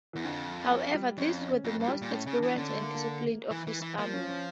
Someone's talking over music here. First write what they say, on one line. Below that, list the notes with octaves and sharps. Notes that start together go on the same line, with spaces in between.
However, these were the most experienced and disciplined of his army.
E2 E3
F2 D3
F3
G3
F2 C#4
C#4
F2 A#3
G2
G3
A#2
A2 C#4
C#3
D4
E3
D3 C#4
A3
A#3
A#3
E3
E3
E3
F3 A#3
C#4
C#4